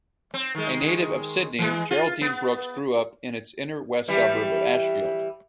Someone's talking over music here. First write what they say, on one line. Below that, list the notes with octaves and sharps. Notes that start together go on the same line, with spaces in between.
A native of Sydney, Geraldine Brooks grew up in its inner-west suburb of Ashfield.
C4
D#3 G#3
E3 G#3
F4
B3
E3 G3